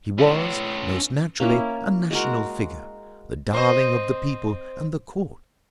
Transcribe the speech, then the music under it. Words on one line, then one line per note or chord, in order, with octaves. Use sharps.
He was, most naturally, a national figure, the darling of the people and the court.
C#4 B4
A#3 C#4 E4
G#3 F#4 A#4
C4 C5 D#5